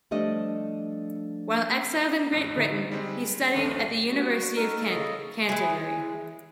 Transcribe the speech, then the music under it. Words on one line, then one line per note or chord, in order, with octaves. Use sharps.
While exiled in Great Britain he studied at the University of Kent, Canterbury.
F3 G3 A3 D4 D#5
A1 F2
D3 D#4
G3 G#3 C4
A#1 D#2 D4 A4
G3 F#4 C#6
D#4 A4 A#4
C#3 D#5
E3 G#3